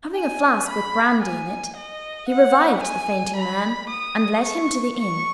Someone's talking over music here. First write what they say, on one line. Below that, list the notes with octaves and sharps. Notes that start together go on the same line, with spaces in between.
Having a flask with brandy in it, he revived the fainting man, and led him to the inn.
G#5
B5
G#5
D#5
F#5
G#5
B5
D#6
C#6
C#6